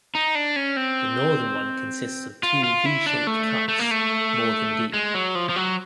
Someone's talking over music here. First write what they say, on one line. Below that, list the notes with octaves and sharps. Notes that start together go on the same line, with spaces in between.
The northern one consists of two v-shaped cuts more than deep.
D#4
D4
C#4
C4
F4
F4
E4
D4
A3
A3
A#3
A3
G#3
F#3
F3
F3
F#3